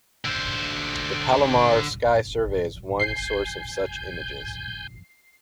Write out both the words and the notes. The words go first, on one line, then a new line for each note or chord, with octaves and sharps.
The Palomar Sky Survey is one source of such images.
D3 C5
G#5 G6 C7